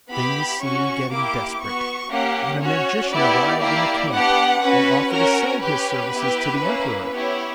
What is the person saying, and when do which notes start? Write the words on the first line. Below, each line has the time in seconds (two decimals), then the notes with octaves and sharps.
Things seemed getting desperate, when a magician arrived in the camp and offered to sell his services to the emperor.
0.11 B3 E4 G4 B5
0.60 C#4 F#4 C#6
1.11 A#3 E4 G4 D6
1.61 B3 F#4 C#6
2.11 A#3 C#4 G4 F#5
2.61 C#4 F#4 C#5
3.11 B3 E4 G4 D5
3.62 A#3 E4 G4
4.12 B3 D4 G4 F#5
4.62 C#4 B4
4.67 F#4
5.12 C#4 F#4 A#4
5.62 C#4 G4 B4
6.12 B3 E4 G4
6.63 A#3 C#4 E4
7.13 B3 E4 G4 C#5